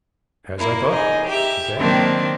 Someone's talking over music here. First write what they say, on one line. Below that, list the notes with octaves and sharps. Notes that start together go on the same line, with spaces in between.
"As I thought," he said.
A#3 E4
D#4 G#4
G4 E5
D#3 F#3 A#3 C4 D4